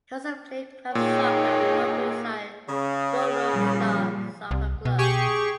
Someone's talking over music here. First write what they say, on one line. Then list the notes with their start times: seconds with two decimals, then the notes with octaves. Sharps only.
He also played club soccer with local side Roanoke Star Soccer Club.
0.95 A#2 D#4 G#4 C#5 G5
2.69 C#3
3.51 A#2 F3 G3
4.51 C2
4.85 B2
4.98 G4 G#4 C#6